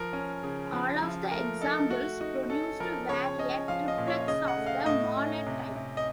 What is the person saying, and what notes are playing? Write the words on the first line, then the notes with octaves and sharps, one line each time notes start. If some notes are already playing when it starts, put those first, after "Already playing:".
All of the examples produced were a Triplex of the Mallet type.
Already playing: F3 A#4
C#4
C#3
F3
F3
A3 A#4
D#4 A4
A3 F#4
D#4 F#4
C#4 A4
F3 A#4
C#3 C#5
C#4 D#5
F3 F5
D#5
A#2
C#5
C#3 D#5
F#5
A3
F5
A2 D#5
C#4
C3
C3
D#5